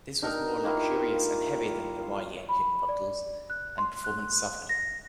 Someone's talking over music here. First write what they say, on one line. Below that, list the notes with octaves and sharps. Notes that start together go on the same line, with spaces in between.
This was more luxurious and heavier than the Riley engined models and performance suffered.
D4 D#4 G4 A#4
D#3 A#3 E4 F4
F4
B5
D5
F#6
C6
F#6
A#6